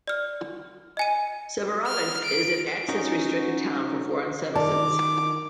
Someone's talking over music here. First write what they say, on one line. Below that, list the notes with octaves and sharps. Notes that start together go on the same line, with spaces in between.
Severodvinsk is an access-restricted town for foreign citizens.
D5 F6
D#5 G#5 D#7
F6
D7
C#4 D#4 F#4 A#4
D#3 D5 A5 D6